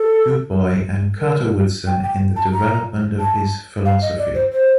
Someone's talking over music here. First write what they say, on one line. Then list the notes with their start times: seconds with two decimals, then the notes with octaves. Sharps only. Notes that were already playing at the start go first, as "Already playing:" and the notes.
Du Bois and Carter Woodson in the development of his philosophy.
Already playing: A4
1.20 A#4
1.87 G5
2.03 G5
2.36 A5
2.53 A#5
3.20 A5
3.85 F5
4.02 D#5
4.18 D5
4.35 C5
4.52 C5